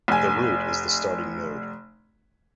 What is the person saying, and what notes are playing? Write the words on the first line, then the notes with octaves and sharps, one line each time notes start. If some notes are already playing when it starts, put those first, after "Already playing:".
The root is the starting node.
F1 G#5